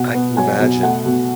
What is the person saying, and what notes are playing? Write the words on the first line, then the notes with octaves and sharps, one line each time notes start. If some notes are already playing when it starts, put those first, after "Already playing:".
I can imagine.
Already playing: B2 F#5
B3
F#3 G#5
B2
A3 F#5
B2